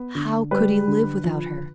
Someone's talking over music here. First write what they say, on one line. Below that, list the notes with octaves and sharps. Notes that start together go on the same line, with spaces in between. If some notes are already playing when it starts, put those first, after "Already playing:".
How could he live without her?
Already playing: B3
D3
G3 B4
D3
F3